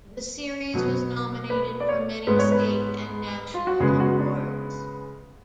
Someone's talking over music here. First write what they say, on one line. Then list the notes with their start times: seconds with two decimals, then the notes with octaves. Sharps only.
The series was nominated for many state and national awards.
0.74 B2 F#3 B3
1.50 B4
1.80 D5
1.89 C#5
2.27 G#2 G#3 B3 B4
2.39 C#5
2.52 B4
3.54 F4
3.67 F#4
3.80 C#3 G#3 B3 G#4
4.00 F#4
4.19 D4